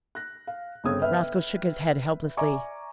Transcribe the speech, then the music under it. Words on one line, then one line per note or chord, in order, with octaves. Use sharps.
Roscoe shook his head helplessly.
F#6 A#6
F5
G1 C#3 C4 C#5 D#6 G#6
B4 E5 G5 F6
D5 E5 G#5 A#5 C#6 D6